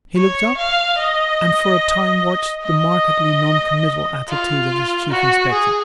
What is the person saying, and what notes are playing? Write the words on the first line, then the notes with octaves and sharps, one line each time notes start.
He looked up, and for a time watched the markedly non-committal attitude of his Chief Inspector.
C#5
F5
D#5
D#5
F4
F#4
G#4